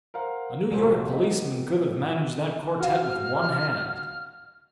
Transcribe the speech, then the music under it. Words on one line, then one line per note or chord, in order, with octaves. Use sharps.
"A New York policeman could have managed that quartet with one hand."
A#4 C5 F5 F#5
F1 A#2 A3 F#4 C5 G#5
B3 G4 A#4 D#5
F#4 F5 F6